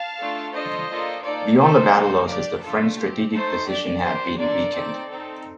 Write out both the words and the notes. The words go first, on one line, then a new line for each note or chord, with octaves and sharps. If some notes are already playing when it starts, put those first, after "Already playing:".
Beyond the battle losses, the French strategic position had been weakened.
Already playing: F5 A5
A3 D4 F4 A4
D4 F4 A4 C5 D#5
A#3 D4 F4 A4
A#3 D#4 A4 D5
A3 C4 D#4 A4 C5
A#3 D#4 A4
D4 G4 D5
A3 D4 F4 A4
C4 G4
A3 D#4 A4 C5
D4 G4 D5
A#3 D4 G4 C5
A#3 D4 F4 A4 D5
C4 D#4 A4
C4 D#4 A4